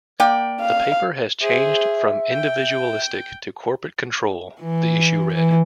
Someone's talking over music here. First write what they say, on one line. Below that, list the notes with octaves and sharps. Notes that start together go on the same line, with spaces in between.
The paper has changed from individualistic to corporate control, the issue read.
A#3 D5 G5
F5
G#4 C5 E5
G5
E3
E3